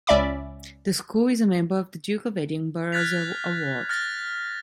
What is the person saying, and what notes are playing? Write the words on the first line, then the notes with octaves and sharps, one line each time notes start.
The school is a member of the Duke of Edinburgh's Award.
C#2 C#4 D5 E5 B5 D6
F6 F#6 G#6 A6 B6 F7
F6 F#6 A6 A#6